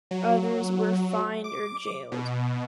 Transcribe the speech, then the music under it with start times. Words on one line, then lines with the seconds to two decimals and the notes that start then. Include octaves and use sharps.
Others were fined or jailed.
0.11 F#3
1.44 D6
2.12 B2